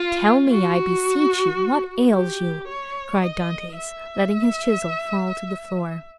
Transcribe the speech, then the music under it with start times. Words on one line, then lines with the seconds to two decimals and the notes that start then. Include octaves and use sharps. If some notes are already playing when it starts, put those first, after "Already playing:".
"Tell me, I beseech you, what ails you?" cried Dantes, letting his chisel fall to the floor.
Already playing: F4
0.52 F#4
2.14 G4
2.68 C#5
3.23 D#5
3.77 E5